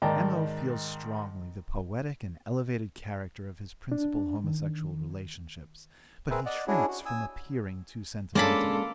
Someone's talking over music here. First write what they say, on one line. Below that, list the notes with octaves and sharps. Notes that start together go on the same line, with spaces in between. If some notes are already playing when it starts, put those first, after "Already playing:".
M.O. feels strongly the poetic and elevated character of his principal homosexual relationships, but he shrinks from appearing too sentimental.
G#2 D#3 D5 G5 A5 A#5
D4
D#3
C4 G#4 A#4 B4 E5
D5 D#5 F#5
C#4 D4 E4 F#4 G#4 C#5
F#4
G#5 D#6 E6
G#3 A#3 C#4 D4 F4 A4 A5 B5